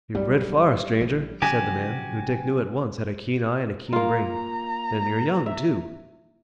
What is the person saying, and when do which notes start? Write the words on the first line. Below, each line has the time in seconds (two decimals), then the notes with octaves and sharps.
"You've rid far, stranger," said the man, who Dick knew at once had a keen eye and a keen brain, "an' you're young, too."
0.15 B1 G2 G3
1.01 A#1 C#3 E3
1.42 C#3 F3 F#3 F#4 G4 G#5
3.93 A#3 F4 A#5
5.46 E5